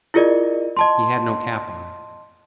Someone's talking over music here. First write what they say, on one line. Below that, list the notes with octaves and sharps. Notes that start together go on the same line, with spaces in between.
He had no cap on.
E4 F4 G#4 A#4 D5 D#5
D#5 A5 C6